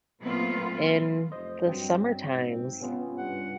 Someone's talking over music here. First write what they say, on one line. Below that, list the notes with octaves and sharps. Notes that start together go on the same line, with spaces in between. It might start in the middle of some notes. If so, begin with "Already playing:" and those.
in the summer times.
A#2 F#3 A3 B3 C4 F4
F1 C5 D#5
G2 F#3 C4 G5
G#2
C3 B3 C#4 F4
G2 F#5